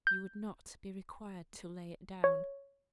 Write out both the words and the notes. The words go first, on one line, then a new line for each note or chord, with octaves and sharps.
'You would not be required to lay it down.'
G6
C#5